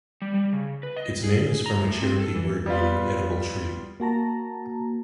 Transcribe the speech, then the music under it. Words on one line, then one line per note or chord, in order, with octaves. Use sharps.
Its name is from a Cherokee word meaning "edible tree".
G3
G3
C#3
B4
D#5
G#4
A#5
A2
C4
A4
E3
G3 B3 F4
A#3 F#4 A5 A#5